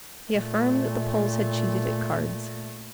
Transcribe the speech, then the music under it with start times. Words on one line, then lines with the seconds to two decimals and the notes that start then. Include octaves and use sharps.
He affirmed that the Poles had cheated at cards.
0.31 A#2 A3